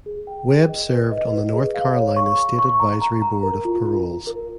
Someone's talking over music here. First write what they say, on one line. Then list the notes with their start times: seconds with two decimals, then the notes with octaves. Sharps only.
Webb served on the North Carolina State Advisory Board of Paroles.
0.06 G#4
0.27 G5
0.48 G#4
0.69 D#5
0.91 B4
1.12 D#5
1.32 B4
1.54 G#4
1.75 F5
1.95 C#5
2.16 C#6
2.38 C#6
2.59 C#6
2.80 A#5
3.01 A#5
3.22 A#5
3.43 A#4
3.65 F4
3.86 F4
4.06 F4
4.27 A#4